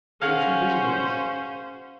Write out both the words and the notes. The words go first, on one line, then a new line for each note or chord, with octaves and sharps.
'They were too busy with us.
C#4 F#4 G#4 C5 F5